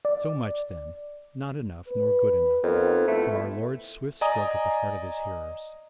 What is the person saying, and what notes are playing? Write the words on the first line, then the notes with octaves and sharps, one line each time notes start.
So much, then,--not enough, nor good enough--for our Lord's swift stroke at the heart of His hearers.
D5
B4
F2 B3 D#4 A#4
A3 B3 E4 F4
D5 D#5 G#5 A#5 D#6